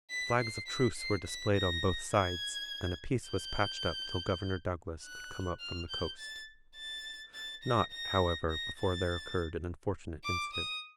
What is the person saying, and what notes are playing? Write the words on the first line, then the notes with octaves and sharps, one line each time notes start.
Flags of truce were displayed on both sides and a peace was patched up till Governor Douglas could come up from the coast. Not, however, before there occurred an unfortunate incident.
B6
C7
B6
C7
B6
A#6
G#6
G6
F#6
F6
G6
A6
A6
A6
A#6
A#6
A#6
A6
D6
D#6